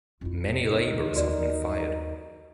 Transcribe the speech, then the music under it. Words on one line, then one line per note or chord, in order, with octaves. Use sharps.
Many laborers have been fired.
F2 E4 F4
D2 D#4 A#4
D#2 F#4 D5